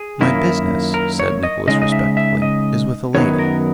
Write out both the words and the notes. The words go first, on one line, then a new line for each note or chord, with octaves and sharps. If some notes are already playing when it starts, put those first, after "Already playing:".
'My business,' said Nicholas respectfully, 'is with a lady.'
Already playing: G#4
F#2 D#3 A#3 E4
A#4
C#5
D#5
C#3 G#3 D#4 D#5
D#5
E5
E5
D#5
F#2 D#3 F#3 B3 D#4 C#5
A#4